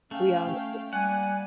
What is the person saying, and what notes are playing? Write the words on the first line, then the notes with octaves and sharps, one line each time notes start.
We all need it.
A3 C#4 F5 G5
G3 A#3 D5 F#5 G#5